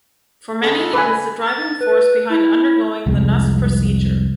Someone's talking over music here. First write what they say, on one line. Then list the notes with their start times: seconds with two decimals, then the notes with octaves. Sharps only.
For many, it is the driving force behind undergoing the Nuss procedure.
0.61 C#3 G#3 A4
0.94 B4 G#5
1.45 A6
1.81 B4
2.30 E4
3.07 C2 F2 G#3